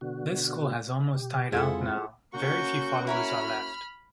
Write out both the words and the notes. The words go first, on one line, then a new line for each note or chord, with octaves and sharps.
This school has almost died out now; very few followers are left.
B2 D3 F#4
B2 G4
F2 G#3 C4 E4 F4 G#4 A4 F#5
A#3 C#4 F#4 C#6 G6
E4 A#4 C#5 B5 F6